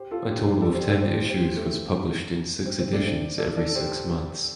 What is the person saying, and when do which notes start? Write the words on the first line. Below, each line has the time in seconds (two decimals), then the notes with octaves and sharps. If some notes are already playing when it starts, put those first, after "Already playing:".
A total of ten issues was published in six editions every six months.
Already playing: G4 C5
0.11 F4 A4
0.29 D4 G4
0.47 G4 C5
0.62 A4 D5
0.74 G4 C5
0.88 A4 D5
1.02 G4 C5
1.29 G4 C5
1.56 A3
2.66 C4
2.79 C4
2.93 A3 D4
3.07 C4
3.38 A4 D5
3.57 A4 D5
3.69 A4
3.75 G4 C5